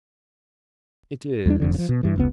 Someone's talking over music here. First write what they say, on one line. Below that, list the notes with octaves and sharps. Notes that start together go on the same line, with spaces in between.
It is.
E2 G3 G#3 D4
F1 F2 D3
C#3 F3
B2
G2 E3
F1 C#2 B3